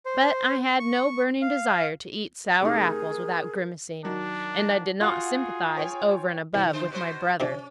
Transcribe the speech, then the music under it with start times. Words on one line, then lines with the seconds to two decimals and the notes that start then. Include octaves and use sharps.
But I had no burning desire to eat sour apples without grimacing, and I did not sympathize over and above with my brother.
0.06 C5
0.80 C#6
1.42 F5
2.61 C3 A3 D#4 G#4 A#4
4.04 D#3 F#3 D4
5.01 F4 F#4 G#4 C6
5.77 C#5 G5 G#5
6.54 C2 D#3
6.73 D3 C5
6.90 B2 B4 C5
7.40 C3 F3 C#4 D4